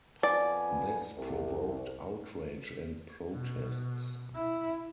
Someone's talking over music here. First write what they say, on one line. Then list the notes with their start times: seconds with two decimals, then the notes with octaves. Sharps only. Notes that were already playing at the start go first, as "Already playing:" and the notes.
This provoked outrage and protests.
0.23 F2 B3 D5 G#5
1.17 C2
3.32 B2
4.35 E4